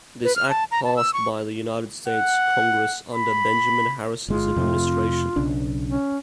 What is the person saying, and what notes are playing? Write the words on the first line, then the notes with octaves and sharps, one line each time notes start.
This act passed by the United States Congress under Benjamin Harrison's administration.
B4
F6
A5
A#5
A5
E6
C#6
F#5
B5
G1 G#3 F4
F2 C3 A3
B1 C#3 D4
C#4